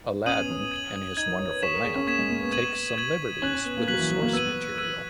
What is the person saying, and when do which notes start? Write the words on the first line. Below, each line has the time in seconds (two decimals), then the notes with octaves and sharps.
"Aladdin and His Wonderful Lamp" takes some liberties with the source material.
0.26 C#4 D#6 G#6 D#7 F#7
0.38 B3
0.51 C#4
0.72 G#6 D#7 F#7
1.17 D#4 G#6 D#7 F#7
1.27 A#4
1.40 C#5
1.50 B4
1.62 C#5 C#6 G#6 B6 E7
1.74 A#4
1.84 G#4
1.95 C#4
2.07 A#3 C#6 G#6 B6 E7
2.19 G#3
2.30 A#3
2.40 B3
2.52 G#6 D#7 F#7
2.98 G#6 D#7 F#7
3.42 C#4 F#6 B6 F#7
3.54 C#4
3.65 B3
3.77 A#3
3.88 F#3 F#6 B6 F#7
3.99 E3
4.10 F#3
4.22 A#3
4.33 B3 E6 G#6 D#7
4.78 E6 G#6 D#7